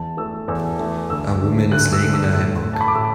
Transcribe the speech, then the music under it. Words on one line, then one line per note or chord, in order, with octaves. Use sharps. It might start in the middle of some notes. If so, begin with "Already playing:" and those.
A woman is laying in a hammock.
Already playing: E2 A5
E3 A3 E6
E2 E6
E3 A3
D2 E6
D3 A3
D2 F#6
E6
D3 A3
E6
A2 E6
A3
A5
B5
D6
A2 E6